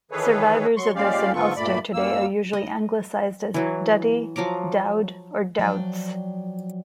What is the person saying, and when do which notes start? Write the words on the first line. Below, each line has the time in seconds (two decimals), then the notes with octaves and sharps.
Survivors of this in Ulster today are usually anglicised as Duddy, Dowd or Dowds.
0.11 D#3 E3 G#4 A4 B4 C#5
0.76 F#3 C6 C#6
0.95 A#2 G#3 C#4 G4 D5 F5
1.34 G#2 D3 B3 F4 A4 C#6
1.56 G2 A#2 A3 D5 B5
1.93 F#2 A#3 E6
2.53 D#5
3.54 E3 F#3
4.36 F3 F#3 A#5 D6
5.59 F3 F#3 D5 G5